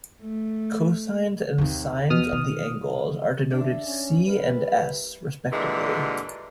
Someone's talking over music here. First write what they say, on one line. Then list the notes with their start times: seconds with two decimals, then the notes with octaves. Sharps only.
Cosines and sines of the angles are denoted "c" and "s", respectively.
0.21 A3
1.58 D#2 C3
2.10 B2 D#6 F6
2.32 D#3
3.50 D4 E5
3.84 C#4
4.26 G3 B3 C4 E4 A#4 B4
5.50 A#2 D3 E3 G3 G#3